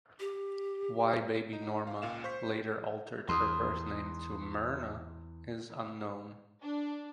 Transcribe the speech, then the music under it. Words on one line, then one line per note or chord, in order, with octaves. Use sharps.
Why "Baby Norma" later altered her birth name to Merna is unknown.
G4
D#4
F5
C#2 A#2 F5 E7
C5 C#6 G6 B6
E2 C6 D#6
D4